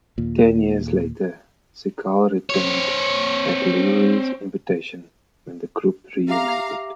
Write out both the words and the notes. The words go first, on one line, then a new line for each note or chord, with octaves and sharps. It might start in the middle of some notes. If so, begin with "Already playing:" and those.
Ten years later, Segel returned at Lowery's invitation when the group reunited.
D#2 A#2
C4 C#5
G4 E5 F5 A#5 D6